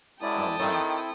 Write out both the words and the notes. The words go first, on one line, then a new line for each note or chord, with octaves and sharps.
Oh wow.
F#2 G#3 E4 D5 G5 A5 D#6
D#3 C4 E4 A4